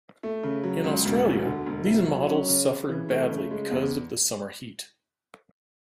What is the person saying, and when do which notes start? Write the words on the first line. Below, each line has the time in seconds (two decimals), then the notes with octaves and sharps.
In Australia, these models suffered badly because of the summer heat.
0.23 A3
0.43 C#3
0.64 F#3
0.84 C#2
1.05 E1
1.25 D2
1.45 D3
1.66 E1
1.87 E4
2.07 F#3
2.28 C#4
2.48 C#3
2.68 C#3
2.89 E3
3.09 A3
3.29 C#3
3.51 G#3
3.71 E2